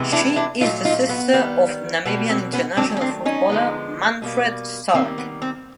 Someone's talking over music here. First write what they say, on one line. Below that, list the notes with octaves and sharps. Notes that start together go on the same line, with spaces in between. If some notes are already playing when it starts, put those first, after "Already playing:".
She is the sister of Namibian international footballer Manfred Starke.
Already playing: C3 E3 G#3 B3
D4 E4
D4 E4
A#2 F#3 A3 D#4 F4
D#4 F4
B3
D#3 G3 B3
B2 G3 A#3 B3
C4
B3 C#4
D#3 F#3 A3 C4 D4
C#4
C4 D4
C#4 D#4
D3 F3 G#3 B3
B2 G3 A#3
D#3 G3 A#3 C4
B3
C4